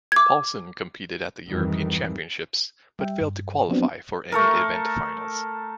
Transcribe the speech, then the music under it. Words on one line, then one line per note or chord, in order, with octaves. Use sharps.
Paulsson competed at the European Championships but failed to qualify for any event finals.
D6 G#6
F2 G#2 D#3 E3 G3
G3 E5 G5
G2
F3 F#3 B3 C4 D4 F#4
A3 A4 A#4